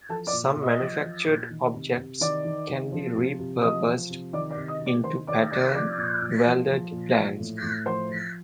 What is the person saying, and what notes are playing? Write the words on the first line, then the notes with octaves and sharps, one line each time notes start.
Some manufactured objects can be re-purposed into pattern welded blanks.
F3 A4 A5
D5 D6
A#2
A#2
D#5 D#6
F3
F3
A#2
D#3
C3
C3
D#3 D5 D6
D#3
C3
F3
C3
C3
F3 D#5 D#6
F3
C3
D#3 D5 D6
D5 D6
C3
D#5 D#6
C3
D5 D6
D#3 C5 C6
D#3 D5 D6
C3 D5 D6
F3 D5 D6
A#2
A#2
F3
F3
A#2
F3
A2
A2
F3 C5 C6
F3